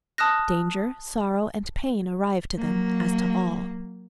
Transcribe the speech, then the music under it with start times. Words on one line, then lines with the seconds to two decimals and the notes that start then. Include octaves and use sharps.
Danger, sorrow, and pain arrive to them, as to all.
0.18 A5 D#6 F6 F#6 A#6
2.58 F#3 A#3